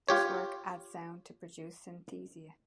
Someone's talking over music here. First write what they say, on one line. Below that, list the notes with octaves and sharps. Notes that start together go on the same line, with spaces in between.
This work adds sound to produce synesthesia.
F4 G4 C#5